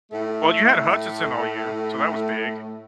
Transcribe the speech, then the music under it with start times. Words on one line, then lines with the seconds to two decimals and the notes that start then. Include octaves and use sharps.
Well, you had Hutchinson all year, so that was big
0.12 A2 A3